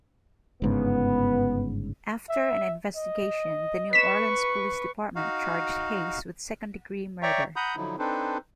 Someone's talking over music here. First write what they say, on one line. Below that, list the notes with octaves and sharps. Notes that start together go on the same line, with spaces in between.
After an investigation, the New Orleans Police Department charged Hayes with second-degree murder.
G1 G#2 C#3 B3
E5
D#5
B4 C#6 B6 E7
D#4 F#4 F5
C#5 D5 E5 G5 A#5 C#6
F#5 A#5 B5 D#6 G6
D3 F3 F#3 D#4 E4
C4 D4 D#4 A4 B4 C5